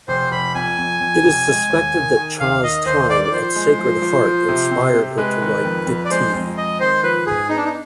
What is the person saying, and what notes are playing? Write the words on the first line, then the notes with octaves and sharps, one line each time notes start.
It is suspected that Cha's time at Sacred Heart inspired her to write "Dictee".
F1 C5
F1 B5
F2 G#5
F2
F2
F1
G#3
D#2
D#3
D#3
D#2 F5
D#3 D#5
D#2 C5
D#3 D5
D5
F3 C5
G#3
F3
F3
F3
C3
C3
C3
G#3 B4
D#3
F2
F2
D5
G#3 C5
F2
G#3 D#5
D#3 C5
F3 B4
G#2 G#4
B3 D#4
D4
D#4